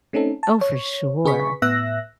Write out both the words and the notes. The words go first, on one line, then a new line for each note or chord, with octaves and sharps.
Oh, for sure.
A3 C4 C#4 D#4 A4
A5
C#5
C#3 G#4 B4 C#6 B6
A2 B3 E5 E6 F#6 A#6